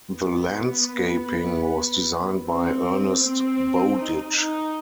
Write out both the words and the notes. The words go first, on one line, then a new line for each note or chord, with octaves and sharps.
The landscaping was designed by Ernest Bowditch.
B3
C4
C4
D#4
D#4